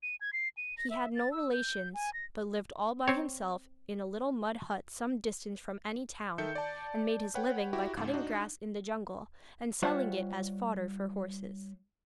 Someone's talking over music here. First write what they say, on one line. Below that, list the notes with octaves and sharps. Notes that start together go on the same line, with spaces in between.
He had no relations, but lived all by himself in a little mud hut some distance from any town, and made his living by cutting grass in the jungle, and selling it as fodder for horses.
D#7
G#6
C7
D#7
A#6
E5
A6
E6
G6
G#5
A#6
C4 C#5
D#3 A4 E5 G6 C#7
D5 A5
B4 C#5 F#5 G5
E4 F#4 G4
C#2 G#2
D4 D#4 F#4
G3 F4 C5 C#5 E5 F#5